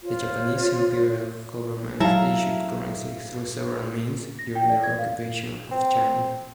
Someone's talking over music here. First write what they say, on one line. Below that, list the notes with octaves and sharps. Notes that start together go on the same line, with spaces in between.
The Japanese Imperial Government issued currency through several means during their occupation of China.
F4 C5 C#5
F#3 E4 A4 E5 F5 A#5
A#6
G5
D5
G#6
F5
C4